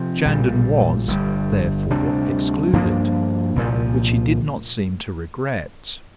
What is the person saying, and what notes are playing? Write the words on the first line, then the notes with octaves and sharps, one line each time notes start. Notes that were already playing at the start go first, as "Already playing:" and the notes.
Shandon was, therefore, excluded, which he did not seem to regret.
Already playing: C3 F3 C4
A#1 A#2 G3
G1 G2 G3
D2 C3 G3 D4
G2 F3 A#3 D4
C2 A#2 F3